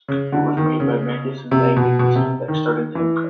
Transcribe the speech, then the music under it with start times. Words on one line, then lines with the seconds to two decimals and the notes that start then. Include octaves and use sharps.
It was made by Bendis and Bagley, the team that started the imprint.
0.08 C#3
0.32 D3
0.57 D#3
0.80 C#3
1.51 C3
1.77 B2
1.99 B2
2.16 C3
2.48 D#3
2.95 E3